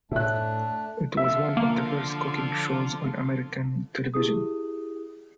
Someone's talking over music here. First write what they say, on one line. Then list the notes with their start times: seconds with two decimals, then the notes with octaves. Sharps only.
It was one of the first cooking shows on American television.
0.12 A2 A3 D4 E5 F#6
1.17 D3 F3 F4 E5
1.57 A#3
4.14 E4 G4 G#4 D#6